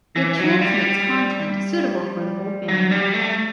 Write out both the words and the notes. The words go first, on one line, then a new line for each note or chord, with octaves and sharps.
It transmits content suitable for the whole family.
E3
F#3
G3
F#3
G3
A3